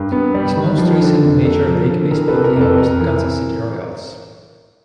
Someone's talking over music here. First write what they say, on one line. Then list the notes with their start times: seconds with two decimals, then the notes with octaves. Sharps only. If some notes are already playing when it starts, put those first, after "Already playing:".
His most recent Major League Baseball team was the Kansas City Royals.
Already playing: G2 A#4
0.12 B3
0.34 G3
0.57 D#3
0.78 F3
1.01 D3
1.22 F2
1.45 A#3 A4
1.67 F3
1.89 D3
2.11 E3 A#4
2.28 A4 B4
2.34 C3
2.44 A#4
2.56 F2
2.61 A4 B4
2.78 F2 A#4
3.00 E3